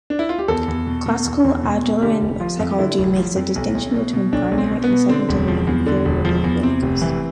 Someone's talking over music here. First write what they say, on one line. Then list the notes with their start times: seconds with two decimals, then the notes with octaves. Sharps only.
Classical Adlerian psychology makes a distinction between primary and secondary inferiority feelings.
0.10 D4
0.19 E4
0.29 F4
0.39 G4
0.48 E2 A4
0.68 E2
0.87 B2
1.06 B2
1.25 E2
1.44 E2
1.63 B2
1.83 B2
2.02 D3 G4
2.22 F1
2.40 F3 F4
2.59 F2
2.79 D3 E4
2.98 F1
3.17 F3
3.36 F2
3.56 B1
3.75 B1
3.94 B2
4.13 B2
4.32 B1 D4
4.51 B1
4.58 C4
4.71 B2
4.84 B3
4.90 B2
5.09 D3 C4
5.29 E1
5.48 F3
5.67 E2
5.86 D3
6.05 E1
6.25 F3
6.44 E2
6.63 C3 C4
6.82 F1
7.02 E3